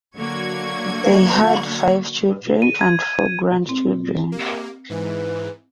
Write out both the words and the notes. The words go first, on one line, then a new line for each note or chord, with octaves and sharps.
They had five children and four grandchildren.
D3 F#3 A#3 F#4 C#6 G#6
D#7
G#6
C4
A#3 G4
G#2 E3 B4